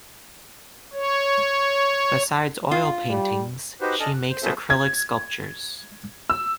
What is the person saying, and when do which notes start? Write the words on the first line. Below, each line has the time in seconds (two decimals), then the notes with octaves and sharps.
Besides oil paintings, she makes acrylic sculptures.
0.93 C#5
2.71 F4
3.10 G3
3.81 D#4 F#4 G4 B4 C5
4.00 D4 A4 D#5 G#5 A5 F6
4.14 F#6
4.29 C5
4.42 B3 C#4 F#4 A4 C5 E5
4.70 G#6
6.30 E6